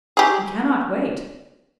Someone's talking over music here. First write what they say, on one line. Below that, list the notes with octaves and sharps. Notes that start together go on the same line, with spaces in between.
"We cannot wait."
G4 G#4